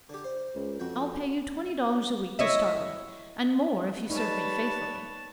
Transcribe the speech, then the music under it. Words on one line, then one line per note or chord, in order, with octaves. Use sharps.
I'll pay you twenty dollars a week to start with, and more if you serve me faithfully.
D3 G4
C5
C#2
F2 F#4 G5
E4 C#5 D#5 E5
G3 D#4 B4 C#5 A5